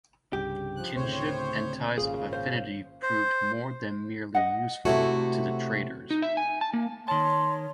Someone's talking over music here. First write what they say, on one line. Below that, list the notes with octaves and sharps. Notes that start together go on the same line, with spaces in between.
Kinship and ties of affinity proved more than merely useful to the traders.
C2 G2 C#3 G4
F3 F#6
D2 A2 C#3 C4 C5 C#5
G#1 A#2 C#3 G#4 F5
C5 C#5 F5
C5
D#5 F#5
C3 A3 E4 F#4 A4 C#5
D#4
E5
G#5
A5
A#3
D#3 C#5 A5 C6